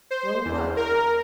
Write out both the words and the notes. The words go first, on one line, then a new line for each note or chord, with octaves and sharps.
"Well, what?"
C5
E2
A#4